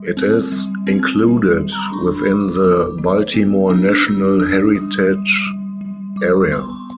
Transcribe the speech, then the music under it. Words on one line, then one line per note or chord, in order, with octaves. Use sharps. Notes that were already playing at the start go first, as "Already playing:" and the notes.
It is included within the Baltimore National Heritage Area.
Already playing: G3
C4
G3
C4
G3
G3
A#5
B5
C6
D4 C#6
B5
F#3 C#6
D6
B3 D6
F#3
B3
D4
D4 E6
D4 D#6
G3 D#6
G3
G3
G3
G3 D6
C#6
B3 C6
C6